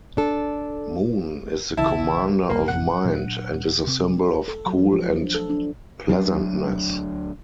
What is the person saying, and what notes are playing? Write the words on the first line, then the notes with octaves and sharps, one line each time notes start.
Moon is the commander of mind and is a symbol of cool and pleasantness.
D4 A4
B1 C#3 E3 E4 A5
E1 B1 G3 A#3
G#1 F2 C3 F#5
A#2 F#3 D4
C3 C4
A4
F#3
F3
F3
D4
A4
D4
D2 F#3 D4